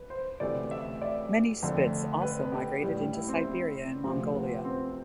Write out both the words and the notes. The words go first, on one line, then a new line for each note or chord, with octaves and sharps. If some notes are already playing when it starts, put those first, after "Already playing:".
Many spitz also migrated into Siberia and Mongolia.
Already playing: B4
C5
D2 C3 E3 A3 D5
E5
D5
F2 D3 A3
B4
G4
A2 G3 G4
G4
E4
C4
C4
D2 C3 F3 C4
B3
C4